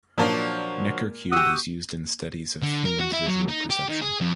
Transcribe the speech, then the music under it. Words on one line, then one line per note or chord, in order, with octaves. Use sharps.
Necker cube is used in studies of human's visual perception.
A#2 F3 F#3 A#3 D4 A5
F#4 G4 F#5 D#6 E6
D3
A#4
F#4
E4
F#3
D#4
G4
D#3
G#4
F2